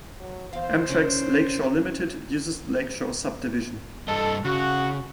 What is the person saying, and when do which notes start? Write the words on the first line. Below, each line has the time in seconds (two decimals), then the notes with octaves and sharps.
Amtrak's "Lake Shore Limited" uses the Lake Shore Subdivision.
0.20 F#3
0.53 E2 C5 F5
0.88 C#3 C#4 D4
4.08 G2 G3 A4 D#5
4.45 C#3 F#4